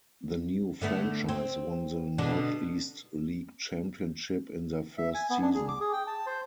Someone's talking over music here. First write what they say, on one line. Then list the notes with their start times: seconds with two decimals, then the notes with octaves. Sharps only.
The new franchise won the Northeast League championship in their first season.
0.82 D3 A3 B3
1.29 C4
2.18 B2 D3 D4
4.98 E5
5.14 G#5
5.30 B3
5.42 D4
5.55 G#4
5.68 D6
5.80 G#4
5.93 G5
6.07 A5
6.27 C5